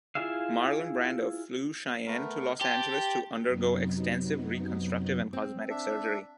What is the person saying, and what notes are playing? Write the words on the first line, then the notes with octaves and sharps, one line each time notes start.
Marlon Brando flew Cheyenne to Los Angeles to undergo extensive reconstructive and cosmetic surgery.
E4 F4 G#4 E5 F5
A3 B3 A#4
G4 C5 A5
F#2 C3 F#3 B3 D#4
C4
D4 E5